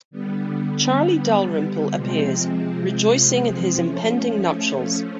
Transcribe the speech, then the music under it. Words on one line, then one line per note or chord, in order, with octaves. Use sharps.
Charlie Dalrymple appears, rejoicing in his impending nuptials.
D3 G3 B3
C3 F3 G#3 C4
F3 A3 C#4